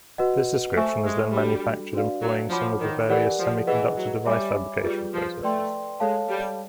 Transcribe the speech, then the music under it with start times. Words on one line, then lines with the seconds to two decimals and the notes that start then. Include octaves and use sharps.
This description is then manufactured employing some of the various semiconductor device fabrication processes.
0.18 F#4 B4 D#5 F#5
0.76 A3 C5 E5 G#5 C#6
1.05 G#3
1.35 G3 D4 F#4 A4
1.93 D4 F#4 B4 D5 F5
2.22 F#3
2.51 F3 C#5 F#5 B5 D6
2.81 D#3
3.09 E3 G4 A#4 D5 F#5
3.39 F3
3.67 E3 G#4 B4 D#5 F#5
3.97 F#3
4.26 G3 C#5 E5 G#5 B5 D6
4.83 G3 F4 G#4 B4
5.13 F3
5.42 A3 B4 D5 G5 C6
6.00 G#3 A4 C#5 F5 A5
6.29 G3